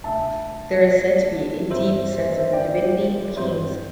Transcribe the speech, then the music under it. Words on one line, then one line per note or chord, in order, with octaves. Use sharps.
There is said to be a deep sense of the divinity of kings.
D2 C3 A3 E5 A5
D5
G2 E3 C4 E4 G4 C5 E5
C5
C5
C5 E5
D5 G5
G2 E3 C4 G4